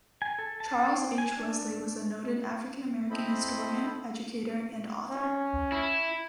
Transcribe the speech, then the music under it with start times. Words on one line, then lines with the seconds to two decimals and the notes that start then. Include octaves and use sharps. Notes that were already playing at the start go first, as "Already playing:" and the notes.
Charles H. Wesley was a noted African American historian, educator, and author.
0.22 G#5
0.39 A4
0.60 A5
0.87 C4
1.18 G#5
1.37 D4
3.10 C4 E4 A4 C5 D#5 B5
5.10 C#4
5.72 E4